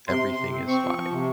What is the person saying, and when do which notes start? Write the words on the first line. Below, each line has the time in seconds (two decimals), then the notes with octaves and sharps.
Everything is fine.
0.08 C3 C6
0.22 C3
0.37 C3
0.53 C4
0.67 C4 C#6
0.83 F3
0.97 F3
1.12 C3